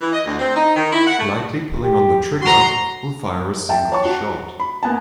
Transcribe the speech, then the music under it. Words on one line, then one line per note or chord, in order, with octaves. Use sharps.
Lightly pulling on the trigger will fire a single shot.
E3
D#5
D2
C4
D#4
D#3
E4
F#5
A3
G4
F#4 A#5 C6
E5 G5 A5
C#5 A5 C#6
F#4
B5
A#3 B3 G#5 A5